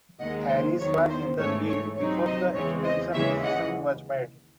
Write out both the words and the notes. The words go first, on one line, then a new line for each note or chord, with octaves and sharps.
Harris was in the lead before the extension decision was made.
D#2 D#3 G#3 D#5 F#5
C5
E2 D#3 F#3 C#5
C5
G#2 E3 A3 C#5
C#5
C2 C3 F#3 C4 D#4 C#5
C5 D#5
E2 C#3 E3 G#3 C4 C#5
C5 D#5
D#2 C#3 E3 G#3 C#5 E5
D#5 F#5